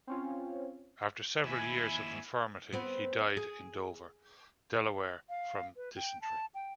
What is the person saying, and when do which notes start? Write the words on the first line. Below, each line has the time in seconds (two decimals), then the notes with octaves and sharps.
After several years of infirmity, he died in Dover, Delaware from dysentery.
0.07 C4 C#4 F4
1.44 D#2 E4 G#5 B5
2.73 B3 C4
3.37 G#4
5.29 F5
5.76 B4
5.96 G5
6.21 A5
6.55 G5